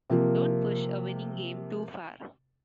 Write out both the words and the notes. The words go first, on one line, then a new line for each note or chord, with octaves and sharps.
Don't push a winning game too far.
C3 F3 A#3 A#4